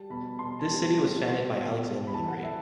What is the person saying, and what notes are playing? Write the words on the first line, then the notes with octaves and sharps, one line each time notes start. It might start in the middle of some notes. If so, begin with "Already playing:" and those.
This city was founded by Alexander The Great.
Already playing: G3 A5
B2 B5
B2 C6
A5
G3
A5
G3
B2
B2
G3
B5
E3 A5
F#5
E5